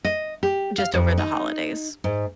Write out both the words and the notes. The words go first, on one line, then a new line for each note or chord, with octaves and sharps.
just over the holidays?
D#5
G4
F5
F2
D#4
G#2